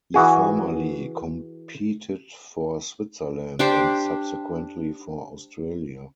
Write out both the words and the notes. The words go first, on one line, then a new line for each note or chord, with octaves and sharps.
He formerly competed for Switzerland, and subsequently for Australia.
E3 F#4 G#4
D4 G4 C5